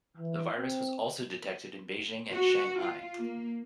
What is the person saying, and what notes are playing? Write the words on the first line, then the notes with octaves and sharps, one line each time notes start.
The virus was also detected in Beijing and Shanghai.
E3
C4
F#4
F4
A#3